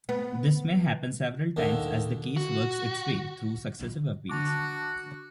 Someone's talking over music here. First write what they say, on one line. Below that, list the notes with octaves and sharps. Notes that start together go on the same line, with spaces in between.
This may happen several times as the case works its way through successive appeals.
B3
D#2 D3 D#3
F#4
D3 F#4 A5 D6